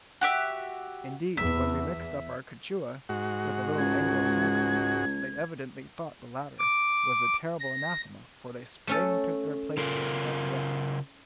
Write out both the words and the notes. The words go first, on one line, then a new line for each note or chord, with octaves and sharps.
Indeed, when we mixed up our Quichua with a little Anglo-Saxon, they evidently thought the latter was a terrible anathema, for they sprang to their places without delay.
F#4 G4 E5
E2 E5
G#2 F#4
C#2 G#6
D6
A#6
A3 C#4 A4
C#3 F4 A#4